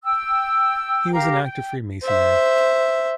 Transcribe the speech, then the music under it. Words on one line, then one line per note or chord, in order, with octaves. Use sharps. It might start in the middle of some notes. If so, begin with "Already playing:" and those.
He was an active Freemasonry.
G5 E6
G4 A#4 F5 A#5
G5
C5 E5